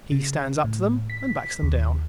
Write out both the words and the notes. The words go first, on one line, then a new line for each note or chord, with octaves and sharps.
He "stands up to them" and backs them down.
C#3
A2
B6
D#2